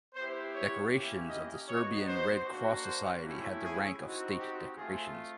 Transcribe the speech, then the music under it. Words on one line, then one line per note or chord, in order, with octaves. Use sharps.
Decorations of the Serbian Red Cross Society had the rank of state decorations.
B3 E4 G4 C5
C#5
A#3 C#4 E4 G4
D#5
B3 D#4 F#4 C#5
C5
A#3 D4 F#4
C5
A3 C#4 E4 G4
G#4
C4 D#4 F#4
G4
A3 C4 F4 G#4